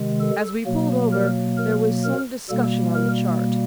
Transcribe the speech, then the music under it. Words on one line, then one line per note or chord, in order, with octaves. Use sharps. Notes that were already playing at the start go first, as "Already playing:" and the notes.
As we pulled over, there was some discussion on the chart.
Already playing: C3 D#3 G#3
A4
B2 F#3 A#3
A#4
A#4
A#4
B2 G3 A#3 A4
A#4